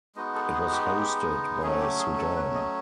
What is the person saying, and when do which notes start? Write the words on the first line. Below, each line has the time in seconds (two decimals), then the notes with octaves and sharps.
It was hosted by Sudan.
0.15 G#3 B3 D#4 F#4 D#5
0.35 A4
0.53 G#4
0.71 G4
0.84 F#4
0.97 G4
1.62 F#3 A3 C#4 G#4
1.80 G4
1.99 G#4
2.17 A4
2.36 B4
2.54 D#5